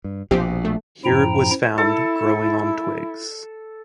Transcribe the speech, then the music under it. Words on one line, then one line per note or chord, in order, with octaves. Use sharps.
Here it was found growing on twigs.
G2
A#1 B2 F3 C4 G4
A3
F#2 A2 F3 E4 G5 A#5
E4 A4